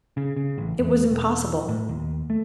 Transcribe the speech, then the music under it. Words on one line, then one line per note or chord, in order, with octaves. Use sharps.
It was impossible?
C#3
C#3
A1
E2
E1
A2
D#2
A3